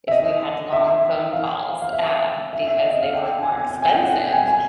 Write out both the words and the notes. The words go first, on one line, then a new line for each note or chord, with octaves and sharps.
if we had long phone calls, um, because they were more expensive,
E5
D#5
E5
F5
F5
E5
E5
E5
D#5
D#5
F5
G5
G#5
G#5
G5
G#5
G5
F#5
G5
G#5
G#5